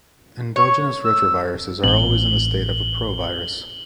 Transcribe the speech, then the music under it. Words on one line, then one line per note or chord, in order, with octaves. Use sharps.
Endogenous retroviruses are always in the state of a provirus.
C#5
E6
A1 C4 F#7 G7